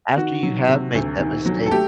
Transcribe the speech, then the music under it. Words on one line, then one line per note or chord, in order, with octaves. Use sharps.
after you have made that mistake
D#3 F#4
F#3
C3
D2
D#3
F#3
A4
A3 G4